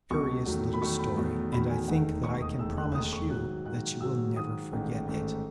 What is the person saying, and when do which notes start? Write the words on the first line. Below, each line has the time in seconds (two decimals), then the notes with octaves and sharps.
It is a curious little story, and I think that I can promise you that you will never forget it.
0.10 C#2 B2 F#3 C#6
0.46 E2 D#3 F#3 A3
0.74 B5
0.81 E2 D#3 F#3 A3 C#6
0.99 B5
1.17 E2 D#3 F#3 A3
1.52 E2 D#3 F#3 A3 B5
1.70 G#5
1.88 E1 D#2 D#3 A3 D#4 F#5
2.24 E1 D#2 D#3 A3 D#4 C#6
2.41 D#6
2.59 E1 D#2 D#3 A3 D#4 E6
2.77 F#6
2.95 E1 D#2 D#3 A3 D#4 D#6
3.13 C#6
3.30 G#2 D#3 F#3 F#6
3.66 G#2 D#3 F#3 F#6
4.01 G#2 D#3 F#3 E6
4.36 G#2 D#3 F#3 D#6
4.73 A1 G#2 D#3 A3
5.08 A1 G#2 D#3 A3